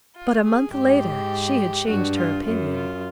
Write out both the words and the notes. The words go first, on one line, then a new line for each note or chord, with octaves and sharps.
But a month later she had changed her opinion.
F4
G#4
G#2 G4
G2 F#4
F4
F#2 F4
F4